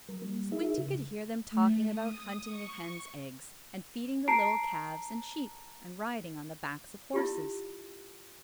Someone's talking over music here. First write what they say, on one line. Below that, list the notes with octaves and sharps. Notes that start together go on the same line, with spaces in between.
Squinty could hear them talking about hunting the hens' eggs, and feeding the little calves and sheep, and riding on the backs of horses.
F#3 A#4
G3 A#3
D#4 E4 G#4 A#4 E5
C#3
A3
D#6
C#6
A5 A#5 C7 D7
E4 F4 G4